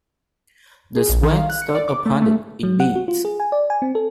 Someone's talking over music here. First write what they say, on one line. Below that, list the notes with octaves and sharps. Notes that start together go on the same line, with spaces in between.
The sweat stood upon it in beads.
G#4
A#1
D#3
F5
F#6
C#7
D5
D6
A3
A3
F#3
F#5
F#4
F4
G#4
G#5
D5
G#5
C4
A4